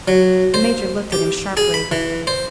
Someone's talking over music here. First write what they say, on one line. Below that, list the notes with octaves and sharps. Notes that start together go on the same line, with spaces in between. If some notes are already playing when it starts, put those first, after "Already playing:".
The Major looked at him sharply.
F#3
C5
G4
G#4
B5
E3
C5